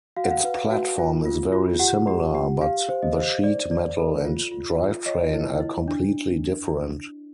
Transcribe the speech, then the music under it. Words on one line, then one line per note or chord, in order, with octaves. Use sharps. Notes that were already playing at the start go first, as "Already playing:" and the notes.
Its platform is very similar, but the sheet metal and drivetrain are completely different.
F#4 F5
F#5
F5
B4
F#4
F4
F4
F4
G4 F#5
G4
G4
G4 F5
C5
D#5
C5
D5
D5
A4
F4
F4
F4
C#5 D#5
E4
E4
D4